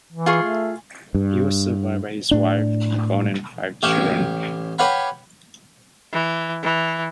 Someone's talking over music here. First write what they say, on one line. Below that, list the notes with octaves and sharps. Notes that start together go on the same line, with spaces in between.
He was survived by his wife Yvonne and five children.
E3
F4 G#4 C#6
A3
G2
A2 D4
A1 G4 C#5 F5
G4 B4 C#5 F5 F#5 B5
E3
E3